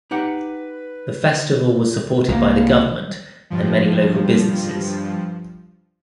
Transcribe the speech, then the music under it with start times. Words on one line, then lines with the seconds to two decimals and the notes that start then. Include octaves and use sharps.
The festival was supported by the government and many local businesses.
0.11 D#4 G4 B4 F#5
2.29 C2 A#3
3.50 G2 F3